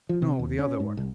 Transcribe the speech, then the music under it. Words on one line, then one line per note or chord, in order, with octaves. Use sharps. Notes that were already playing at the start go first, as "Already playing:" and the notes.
"No, the other one."
F3
C3
D#2
C#4
G#2
C2